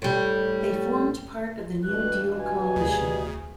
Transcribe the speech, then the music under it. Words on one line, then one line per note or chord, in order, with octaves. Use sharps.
They formed part of the New Deal Coalition.
A2 G3
G2 B2 E3 F#6
G#5
D2 G#4